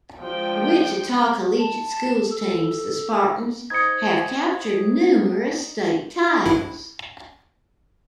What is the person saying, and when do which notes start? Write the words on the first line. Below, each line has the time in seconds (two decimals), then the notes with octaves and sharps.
Wichita Collegiate School's teams, the Spartans, have captured numerous state titles.
0.18 F3 G#3 D4 G5
1.59 A5
2.32 A4
3.70 D#4 C5 D#5 G#6 C#7
6.46 A#1 G2 E4